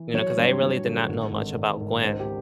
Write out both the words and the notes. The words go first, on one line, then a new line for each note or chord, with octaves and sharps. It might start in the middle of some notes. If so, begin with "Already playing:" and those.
you know, 'cause I really did not know much about Gwen,
Already playing: E3
F#3 C#5
G2
F#3
D3
G#1
G#1
G#1
G#1
C#2 C5
G4